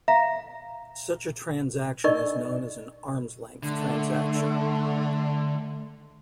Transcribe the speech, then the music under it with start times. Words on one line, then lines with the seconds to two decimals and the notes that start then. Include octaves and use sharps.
Such a transaction is known as an "arm's-length transaction".
0.08 E5 F5 A#5
2.04 D4 D#4 A#4 D5 D#5 C#6
3.63 D3 A3